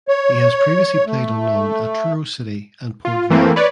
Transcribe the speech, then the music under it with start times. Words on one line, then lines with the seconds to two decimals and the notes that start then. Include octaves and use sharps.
He has previously played on loan at Truro City and Port Vale.
0.08 C#5
1.06 A3
3.05 F4
3.30 E3 A3 A#3 C4
3.56 B4 C#5 D5